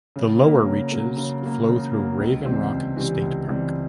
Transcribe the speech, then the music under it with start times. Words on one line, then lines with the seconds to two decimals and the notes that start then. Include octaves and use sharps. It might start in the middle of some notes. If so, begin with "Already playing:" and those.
The lower reaches flow through Raven Rock State Park.
0.16 C#3
0.41 F#3 A#3
0.66 C#3
0.92 F#3 A#3
1.17 C#3
1.43 F#3 A#3
1.68 C#3
1.94 F#3 A#3
2.20 C#2
2.44 C3 E3 G3 C4
2.71 C#2
2.96 C3 E3 G3 C4
3.22 C#2
3.47 C3 E3 G3 C4